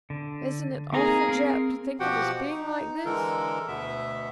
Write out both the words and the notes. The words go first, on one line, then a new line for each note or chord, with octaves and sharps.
"Isn't it awful, Jap, to think of us being like this?"
D3
A#3 C4 D#4 G#4 A#5
C4 A#4
B2 F3 F#4 G4 F#5 G5
D#4
D3 E3 G#3 A4 A#4
D2 B2 B3 E5